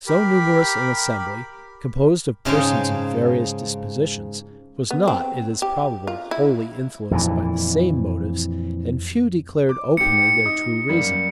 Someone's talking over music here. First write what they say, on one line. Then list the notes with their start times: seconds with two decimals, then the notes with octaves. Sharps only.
So numerous an assembly, composed of persons of various dispositions, was not, it is probable, wholly influenced by the same motives; and few declared openly their true reason.
0.07 G4 A#4 B5
2.45 G#2 C#3 F3 C#5 G5
4.91 B3
5.08 C4
5.62 G4
6.07 F4
6.31 E4
7.11 F2 A#2 E3
9.69 D6
9.97 G#2 G4 C#7
10.46 D#4 D#6
10.89 F#2 G3 A#3